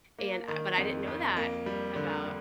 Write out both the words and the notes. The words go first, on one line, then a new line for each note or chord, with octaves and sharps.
and I but, I didn't know that about
A#3
D#3
F2
F2
A#3
G3
D3
D3